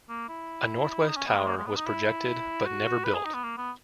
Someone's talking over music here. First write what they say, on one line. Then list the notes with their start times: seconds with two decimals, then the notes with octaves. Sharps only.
A northwest tower was projected but never built.
0.09 A#3
0.29 E4
1.08 D#4
1.17 C#4
1.27 B3
1.37 G#3
1.47 A#3
1.57 G#3
1.67 B3
1.76 D#4
1.86 E4
2.66 F#4
3.04 B4
3.14 G#4
3.25 D#4
3.34 B3
3.44 A#3
3.57 B3